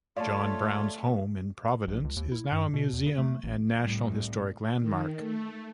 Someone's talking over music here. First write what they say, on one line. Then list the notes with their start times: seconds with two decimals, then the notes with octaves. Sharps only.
John Brown's home in Providence is now a museum and National Historic Landmark.
0.17 A3 F4 C#5 D5 F5 A5
1.88 A#1
2.04 C#2
2.17 D#2
2.32 E4
2.52 G2
2.74 B2
2.93 E2
3.06 C#3
3.18 A3
3.43 A1
3.82 C2 A2
4.80 D#3
5.18 A3